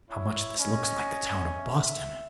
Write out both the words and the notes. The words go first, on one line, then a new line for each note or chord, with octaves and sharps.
How much this looks like the town of Boston!
E4 C#5
C#4 D#5
E5